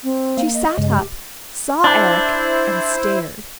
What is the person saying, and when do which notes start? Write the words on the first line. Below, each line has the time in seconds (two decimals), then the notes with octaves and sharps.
She sat up, saw Eric and stared.
0.04 C4
0.37 A#3
0.54 D#5
0.78 G2 C#3 G#3
0.90 G4
1.84 D4 E4 C5